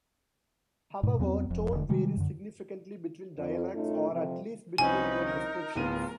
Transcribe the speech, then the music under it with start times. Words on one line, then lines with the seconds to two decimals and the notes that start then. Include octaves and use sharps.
However, tone varies significantly between dialects, or at least between their descriptions.
1.03 G#2 B2
1.19 E2 F#3 B3 C4
1.50 F1 F2
1.72 E1 D3
1.89 C3 D#3 G3 G#3
2.17 F#2 D3
3.36 F2
3.74 F#2 A2 A3 C#4 D#4 F4
4.10 F2 C3 F3
4.78 C2 F3 C4 C#4 D#4 B4 G#5
5.26 A#4
5.75 D1 B3 F4 D#7